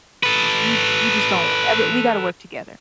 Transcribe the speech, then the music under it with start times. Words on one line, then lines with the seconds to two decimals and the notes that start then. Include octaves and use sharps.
you d you just don't ever we gotta work together.
0.23 A4 B4